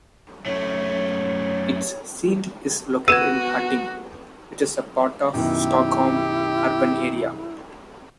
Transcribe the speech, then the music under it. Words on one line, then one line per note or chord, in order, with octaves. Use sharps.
Its seat is located in Huddinge, which is a part of Stockholm urban area.
F#2 A3 C#5
B3 F#4 E6 G#6 D#7 E7
F#2 B2 D#3 E4 G4